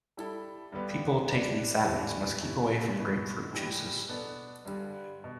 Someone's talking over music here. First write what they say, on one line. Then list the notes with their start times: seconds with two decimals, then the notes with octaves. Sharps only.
People taking statins must keep away from grapefruit juices.
0.17 G3 E4 A4
0.72 G2 D3 B3 G4 B4
1.28 G3 D4 B4
1.84 E2 D3 G3 E4 B4
2.41 B2 G3 E4
2.98 B2 B3 E4
3.53 A2 E3 G3 E4
4.09 B2 B3 D4 A4
4.65 G2 D3 G3
5.24 B2